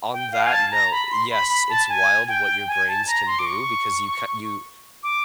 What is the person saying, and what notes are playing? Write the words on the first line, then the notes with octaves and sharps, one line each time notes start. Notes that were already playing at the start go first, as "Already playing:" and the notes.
on that note, yes, it's wild what your brains can do because you ca you
G5
F5
G#5
A5
A#5
B5
C6
B5
B5
A5
G#5
G5
G#5
A5
A#5
C6
D6
C#6
D6